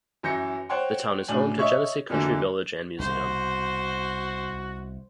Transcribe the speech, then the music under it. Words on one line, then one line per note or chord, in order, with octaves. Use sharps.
The town is home to Genesee Country Village and Museum.
F#2 E3 G6 A#6 C#7
C5 C#5 F#5 G5 C6
A2 F#3 D4 G#5 F#7
C#5 D#5 E5 C#6 G#6
F2 D3 E3 F#3 A#3
C2 B2 F#4 C5